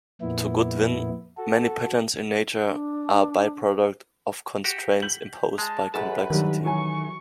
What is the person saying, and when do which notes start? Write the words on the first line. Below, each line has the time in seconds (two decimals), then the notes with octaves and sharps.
To Goodwin, many patterns in nature are a byproduct of constraints imposed by complexity.
0.21 F2 A#2 B3 E4
1.37 F#4 A4
2.67 D4
4.64 F#4 G4
5.02 G6 B6 F#7
5.58 G#3 A5
5.94 A1 F#2 G#4 B4 A5
6.30 G2 D#3 F#3 G3
6.65 E3 F#3 G#5 C#6